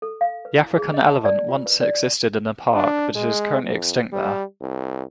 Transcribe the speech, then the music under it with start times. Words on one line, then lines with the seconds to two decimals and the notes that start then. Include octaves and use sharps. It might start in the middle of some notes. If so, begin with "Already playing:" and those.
The African elephant once existed in the park but is currently extinct there.
0.02 A4
0.21 F5
0.45 B4
0.58 E4
0.77 G#4
0.94 D#5
1.06 A5
1.25 D5
1.48 F4
1.66 B4
1.81 D5
2.74 D4
3.15 G#3
3.63 F2
4.12 G3
4.61 C2